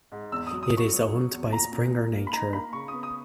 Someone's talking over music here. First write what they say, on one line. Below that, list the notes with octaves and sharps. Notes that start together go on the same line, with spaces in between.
It is owned by Springer Nature.
G#2
E2 E6
D#6
F#3
D#6
F#3
C#6
F#3
F#3
E2
A#2 A#5
A#2
A#2
A#3
B5
D#4 A#5
A#3 B5
C#3 C#6
B3 D#6
D#6